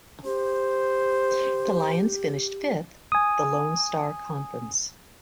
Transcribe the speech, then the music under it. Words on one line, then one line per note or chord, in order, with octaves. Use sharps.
The Lions finished fifth the Lone Star Conference.
G4 C5
G#5 D#6